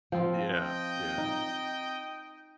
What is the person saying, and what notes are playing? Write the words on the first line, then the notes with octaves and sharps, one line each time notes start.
Yeah, yeah.
F3 C4 F4
D#5 G5
D#4